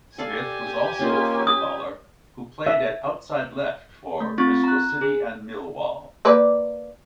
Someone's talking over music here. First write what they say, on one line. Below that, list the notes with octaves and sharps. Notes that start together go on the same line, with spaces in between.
Smith was also a footballer who played at outside-left for Bristol City and Millwall.
G4 A4 D5 F5 G#5
A#3 C#4 F4 D#5
D#6
E5
A3
C4 F4 C#6 A6
A#5 F#6
G#4
A#3 B4 D5